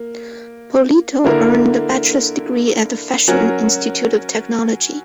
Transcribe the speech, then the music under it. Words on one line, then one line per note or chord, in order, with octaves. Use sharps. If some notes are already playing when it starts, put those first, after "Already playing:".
Polito earned a bachelor's degree at the Fashion Institute of Technology.
Already playing: A#3
D3 A#3 E4 A#4
F#3 C#4 F#4 A#4